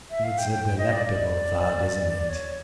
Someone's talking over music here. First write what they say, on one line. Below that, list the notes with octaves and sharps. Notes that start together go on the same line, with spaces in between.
It's a delectable thought, isn't it?
E5
F5
G5
G5
G5
D#5
D5
D5
C#5